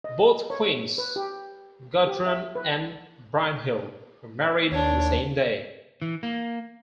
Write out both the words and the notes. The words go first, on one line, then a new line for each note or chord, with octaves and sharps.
Both queens, Gudrun and Brynhild, were married on the same day.
D#5
C#5
B4
G4
G4
E5
B4
D#2 D4 C#5
E3
A#3